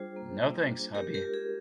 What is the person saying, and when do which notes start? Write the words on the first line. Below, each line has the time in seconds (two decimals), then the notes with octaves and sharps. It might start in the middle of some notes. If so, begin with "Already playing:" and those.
No thanks, hubby!
Already playing: G3 D4 F4 G#4 C5
0.16 A#3
0.43 G3
0.69 D4
0.95 G#3 G4 A#4
1.14 G4 A#4
1.21 F4
1.34 G#4